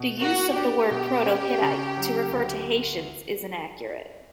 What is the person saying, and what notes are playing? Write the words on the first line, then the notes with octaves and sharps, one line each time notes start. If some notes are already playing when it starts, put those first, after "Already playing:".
The use of the word "Proto-Hittite" to refer to Hattians is inaccurate.
Already playing: B2
A#3 F#4
D4 G4
B2
C#4
C#3
F#3
D2